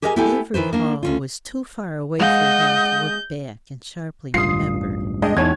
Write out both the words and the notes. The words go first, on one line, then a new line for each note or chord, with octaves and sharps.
Avery Hall was too far away for him to look back and sharply remember.
G4 G#4 A#4 D#5 F5 G#5
B3 E4 G4 A4 G5 G#5
D#3 E3 B4 C5
A#3 D4
D2 C#4 F4
G#3 D#5 F5 F#5 G6
E1 A1 G2 F4 D#6 C7
G#3 D4 D#5 G5
E2 G#2 C#5 G#5 A5 G#6